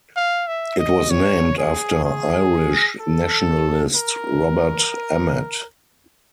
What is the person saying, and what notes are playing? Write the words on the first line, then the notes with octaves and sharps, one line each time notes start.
It was named after Irish nationalist Robert Emmet.
F5
E5
D#5
C#5
G#4
G#4
A4
A#4